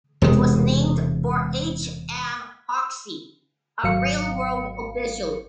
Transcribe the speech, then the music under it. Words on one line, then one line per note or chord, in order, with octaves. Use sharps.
It was named for H. M. Hoxie, a railroad official.
E1 C3 G#3
G#1 F#3 F5 C#7